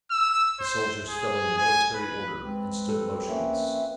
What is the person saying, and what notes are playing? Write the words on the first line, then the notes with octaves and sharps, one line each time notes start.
The soldiers fell into military order, and stood motionless.
E6
C5
G#4
G#5
B4
G#3 C4 B4
A4
F3 A#3 C#4 E5